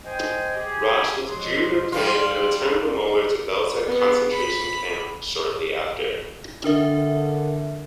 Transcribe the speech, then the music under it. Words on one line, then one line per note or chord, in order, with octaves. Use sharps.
Rosh withdrew her plan and returned the molar to Belzec concentration camp shortly after.
C5 D#5 G5 G#5
G4 G#4
B2 F3 F#3 G#3 D4 C6
G3 F4
B3
B5
D3 D4 A#4 E5